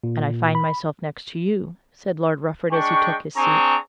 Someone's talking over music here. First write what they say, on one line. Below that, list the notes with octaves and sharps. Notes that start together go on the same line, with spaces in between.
"And I find myself next to you," said Lord Rufford as he took his seat.
A#2
B5
G#3 D4 G5 C#6
C4 D4 G#4 G#5 A#5 C#6